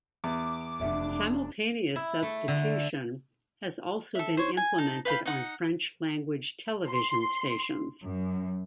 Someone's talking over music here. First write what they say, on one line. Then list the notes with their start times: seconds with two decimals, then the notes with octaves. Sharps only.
Simultaneous substitution has also been implemented on French language television stations.
0.24 E2 D6
0.79 F1 D4 A4 E5 F#5
1.96 E4
2.23 A3
2.48 D3
4.15 A4 E5
4.37 C5 C#5
4.57 G#5
4.78 D#4 A5
5.05 B4 F5 G5 B5
5.26 D#4 F#5
6.89 C6
8.04 F#2